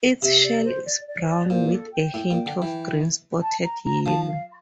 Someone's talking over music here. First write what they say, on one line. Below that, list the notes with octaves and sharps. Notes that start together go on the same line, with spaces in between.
Its shell is brown with a hint of green, spotted yellow.
C3 E5
D5
C5
D5
D5
C5
D5
A#2 C5
A4
G5
A2
A#2
D3
E3
A5
A#5
A#5
F3 A5
F5